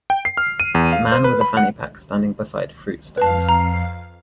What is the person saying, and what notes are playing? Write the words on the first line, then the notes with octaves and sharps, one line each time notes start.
Man with a fanny pack standing beside fruit stand.
G5
C7
F6
D#7
E2
F5
C5
B4
B5
F#5
F2 B4 F5 A5 C7
A#5